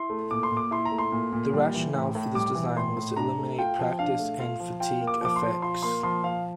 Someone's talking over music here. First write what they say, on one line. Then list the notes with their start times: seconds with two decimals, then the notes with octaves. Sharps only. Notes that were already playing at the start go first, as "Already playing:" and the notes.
The rationale for this design was to eliminate practice and fatigue effects.
Already playing: E4 C6
0.10 A3
0.31 A#2 D6
0.43 C6
0.51 A#2
0.57 D6
0.71 E4 C6
0.85 A#5
0.92 A3
0.98 C6
1.12 A#2
1.32 A#2
1.53 G3
1.74 E3
1.94 A2
2.15 A2
2.35 G3 D6
2.55 E3
2.76 A2 C6
2.97 A2
3.16 D4 A#5
3.38 A3
3.58 F4 G5
3.79 F3
3.99 D4 F5
4.19 A3
4.39 F4 F5
4.60 F3
4.80 F4 G5
5.01 A#3
5.07 D6
5.21 F3 D6
5.36 C6
5.42 F3
5.62 F4 C6
5.83 A#3 C6
6.03 F3 C6
6.23 F3 F5